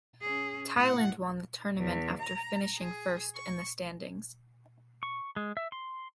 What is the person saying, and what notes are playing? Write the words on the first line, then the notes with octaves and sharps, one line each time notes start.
Thailand won the tournament after finishing first in the standings.
C#4 G#4
A2 F#5
E2
A#5
G#4
C#6
C#6
G#3
E5
C6